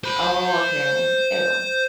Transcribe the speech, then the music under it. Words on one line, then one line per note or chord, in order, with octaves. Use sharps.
Oh, okay. Ew.
C5 B5